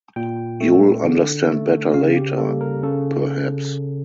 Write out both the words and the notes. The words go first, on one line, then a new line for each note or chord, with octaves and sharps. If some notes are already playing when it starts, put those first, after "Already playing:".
You’ll understand better later — perhaps.
A#2 G5
A3
D3
A3
C#3 F5
G4
G3 A#3 A4
A#4
C#3 A4